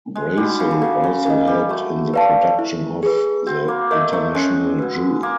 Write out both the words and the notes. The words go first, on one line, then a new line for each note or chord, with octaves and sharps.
Brasol also helped in the production of "The International Jew".
G#3
G3 D#4 F#4
C#3
D3
C#3 F#4
C#3
C#3 A#4 D#5
G3
A3 F#4
B4 D5 F5 A5
E4
G#4 B4
C4 F#4
A#3
A3 A#4 D#5
A3
G#3 C#4
F#4 B4
A#3